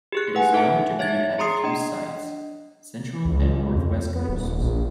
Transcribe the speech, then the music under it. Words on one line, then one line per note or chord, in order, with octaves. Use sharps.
It is known to breed at a few sites, central and north-west coasts.
G4 G#4 F#6
B4 F#5 G#5
D#4 A4 E5 A5
C#5 E5 G#6 A6
G#4 A#5 C6 D#6 C7
D4 D#5
C#2
F2
B3
D#1
A#1